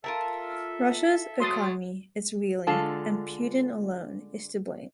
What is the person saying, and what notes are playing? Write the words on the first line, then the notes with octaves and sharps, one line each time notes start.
Russia’s economy is reeling and Putin alone is to blame.
F4 A4 A#4 E5 A5
F#3 C6 D#6 A6
D3 G#3 F4 A4 A5